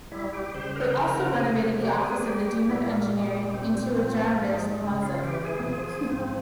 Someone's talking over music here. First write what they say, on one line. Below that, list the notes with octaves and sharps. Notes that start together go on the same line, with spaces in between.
They also renovated the office of the dean of engineering into a janitor's closet.
G3 E4
G4
C#3 C5
A#4
C5
F3 A#4
A#4
C3 G#4
G3 G4
G#4
G3 G4
G4
A#2 E4
A#3
G3 G#3
A#2 C4
F3 C4
A#3
G#2
G#3
C#3 G#3
F4
E3 G4
G#4
F3 G#4
G#4
G#2 C4